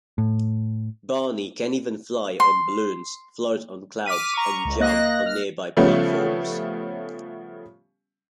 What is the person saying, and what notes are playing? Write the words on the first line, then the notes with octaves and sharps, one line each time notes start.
Barney can even fly on balloons, float on clouds, and jump on nearby platforms.
A2
C6
D6 F6 B6 D#7
A#5 C#6
C#2
A#3 D#5 F#6 A#6
F6
C#3 F3 G3 A3 B3 C#4